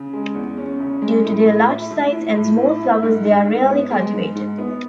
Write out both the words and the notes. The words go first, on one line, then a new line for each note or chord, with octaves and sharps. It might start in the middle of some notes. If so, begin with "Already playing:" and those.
Due to their large size and small flowers, they are rarely cultivated.
Already playing: C#3
G#3
E2
C#4
C#3
G#3
A2
A2
E4
A2
E4
A2
E4
E4
G#2
G#2
G#2
B3
G#3
G#2
G#2
B3